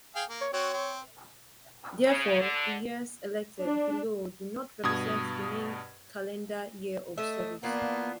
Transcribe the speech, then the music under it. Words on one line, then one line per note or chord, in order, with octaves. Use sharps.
Therefore, the years 'Elected' below do not represent the main calendar year of service.
G#4 F5 G5
A#3
C#5
C4 F#4 C#5
C4
C#3
D3
D4
G2 B2 D#6 G#6
A3 D#5 E5
E3 A#3 B3 D4 F4